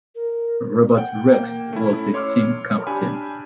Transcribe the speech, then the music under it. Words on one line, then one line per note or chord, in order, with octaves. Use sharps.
Robert Rex was the team captain.
A#4
F#5 G5
A#3 G5
A3 C#4 E4
C#5 C6 D6 E6 F6
D4 G4 G#5 B5